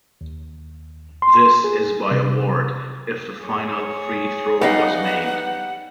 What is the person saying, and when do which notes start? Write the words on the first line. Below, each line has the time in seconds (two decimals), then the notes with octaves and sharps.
This is by award, if the final free throw was made.
0.21 D#2
1.22 C6
1.64 G#4
2.11 C3
3.40 G#4 C#5
4.61 G3 B3 D#4 F5 F#5